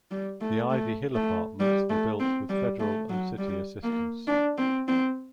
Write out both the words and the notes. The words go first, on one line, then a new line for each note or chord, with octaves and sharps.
The Ivy Hill Apartments were built with federal and city assistance.
G3
A3
A3
A3
G3
A3
C4
G3
A3
F#3
G3
A#3
D4
C4
C4